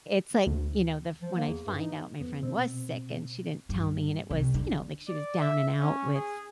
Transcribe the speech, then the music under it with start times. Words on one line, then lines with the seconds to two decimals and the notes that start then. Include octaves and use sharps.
it's like, you know, the f when I find out my friend was sick and she didn't tell me and it was, you know, like she was down and out with
0.47 D2
1.22 F3
1.35 A#3
1.47 E2
1.66 G2
1.79 D#4
2.20 F2 B3
2.43 B2 C4
3.69 G2
4.30 C2
4.54 D3
5.08 D5
5.41 E5
5.80 C#4
6.15 G#4